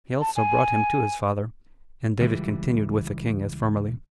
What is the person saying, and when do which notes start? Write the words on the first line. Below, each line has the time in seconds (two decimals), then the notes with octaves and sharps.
He also brought him to his father; and David continued with the king as formerly.
0.21 A5
0.36 G#5
2.20 C#2 E3 G3